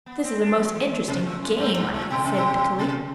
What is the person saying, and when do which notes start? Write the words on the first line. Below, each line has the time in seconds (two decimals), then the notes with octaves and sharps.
"This is a most interesting game," I said bitterly.
0.06 B3
0.24 C4
0.41 D4
0.57 F#3
0.75 E3
1.08 C3
1.26 A2
1.42 F#2
1.59 G2
1.77 G2
1.94 A2
2.11 B2
2.24 C3
2.37 B2
2.79 C3